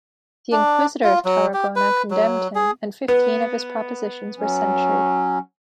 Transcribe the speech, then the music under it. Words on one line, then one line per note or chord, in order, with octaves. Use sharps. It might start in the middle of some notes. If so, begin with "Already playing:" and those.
The inquisitor of Tarragona condemned him, and fifteen of his propositions were censured.
D4
F4
F#3
G4
B4
F#3
G#4
B3
F#3 C#4